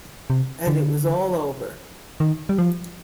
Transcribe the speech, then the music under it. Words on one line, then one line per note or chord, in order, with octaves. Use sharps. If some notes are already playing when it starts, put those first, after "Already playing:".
And it was all over.
C3
D3
D#3
G3
F3